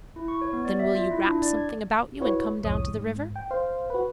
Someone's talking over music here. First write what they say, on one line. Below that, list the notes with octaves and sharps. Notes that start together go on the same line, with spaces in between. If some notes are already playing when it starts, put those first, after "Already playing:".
"Then will you wrap something about you and come down to the river?"
E4
C#6
C#5
B3
D5
E5
F4
E4
D4
D5
G#6
E4 F#4 B4 C#5
C2 F2 A2 C#5 D#6
G#2
G5
C5 F5
F#4 B4